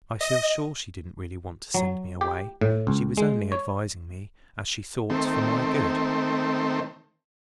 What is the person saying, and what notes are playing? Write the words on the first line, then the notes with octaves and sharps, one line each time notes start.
I feel sure she didn't really want to send me away: she was only advising me, as she thought, for my good.
D#5
F#3
G4
A2
C#2
G#3
C#5
D#3 A3 C4